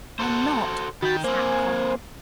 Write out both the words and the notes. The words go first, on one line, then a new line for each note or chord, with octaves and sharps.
"I'm not!" snapped Colin.
F#4 A4 C5
D#3 F#4 G5 B5 A6
A#3 C4 C5 G#5